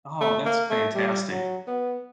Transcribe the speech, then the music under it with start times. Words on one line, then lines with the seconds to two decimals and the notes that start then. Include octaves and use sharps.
Oh, that's fantastic.
0.21 A3
0.45 A#3
0.70 A3
0.94 G3
1.31 F#3
1.67 B3